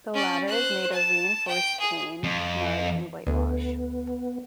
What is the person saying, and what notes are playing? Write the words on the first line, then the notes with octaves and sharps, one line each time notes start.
The latter is made of reinforced cane, mud and whitewash.
C#4 D5
C5 F#6
A5
G5
G#4
F2
D2 B3